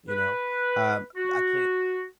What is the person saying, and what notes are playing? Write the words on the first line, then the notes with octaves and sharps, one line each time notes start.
you know? Um, I can't
B4
F#4